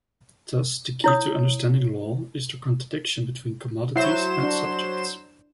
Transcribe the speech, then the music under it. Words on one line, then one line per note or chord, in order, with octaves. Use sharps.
Thus the key to understanding law is the contradiction between commodities and subjects.
E4 C#5 D#6
F#3 E4 C5 E7
D4